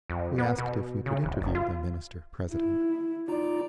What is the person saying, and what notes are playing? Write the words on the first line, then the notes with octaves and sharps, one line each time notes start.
We asked if we could interview the Minister-president.
F2
B3
B2
C#3
D1
F#1
F4
E4
D#4 F4 D5 A#5